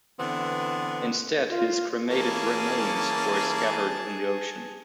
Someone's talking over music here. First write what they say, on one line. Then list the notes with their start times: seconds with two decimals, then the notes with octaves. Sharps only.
Instead, his cremated remains were scattered in the ocean.
0.20 D3 E3 B3 C4
1.50 F4
2.10 E3 A#3 C#4 G#4 A5